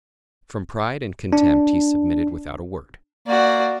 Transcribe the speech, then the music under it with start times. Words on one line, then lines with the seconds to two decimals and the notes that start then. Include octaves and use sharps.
From pride and contempt he submitted without a word.
1.33 D4
3.27 A#3 F#4 D5